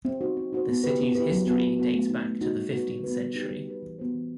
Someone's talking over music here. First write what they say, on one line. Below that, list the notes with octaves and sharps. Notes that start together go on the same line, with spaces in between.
The city's history dates back to the fifteenth century.
C4
D#4 F#4 C5
C4
D#4 F#4 C5
B3
E4 G4 B4
B3
E4 G4 B4
F#3
B3 F#4 B4
F#3
B3 F#4 B4
A3
D#4 F#4
A3
D#4 F#4
G3
B3 F#4 B4
G3
B3 F#4 B4
G3
D#4 G4 B4
G3
D#4 G4 B4
E3
B3 F#4 C5
E3